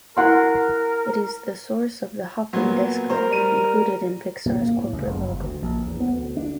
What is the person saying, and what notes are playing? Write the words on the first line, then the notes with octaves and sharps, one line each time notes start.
It is the source of the hopping desk lamp included in Pixar's corporate logo.
E4 A#4 F#5 C6
A#2 F#3 B3
A#4 C5
G3 D#7
A#2
A#3
A2
C#2
F#1
G1
D2
A#1
E2
B3
D2
D4